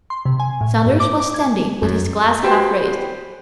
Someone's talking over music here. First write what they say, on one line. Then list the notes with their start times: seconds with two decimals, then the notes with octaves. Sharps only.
Saunders was standing with his glass half raised.
0.10 C6
0.25 C3
0.40 G#5
0.61 A2
0.86 G2
1.00 D6
1.20 D6
1.34 G#6
1.82 F#2
2.43 F#4 G4 B4 C5 G5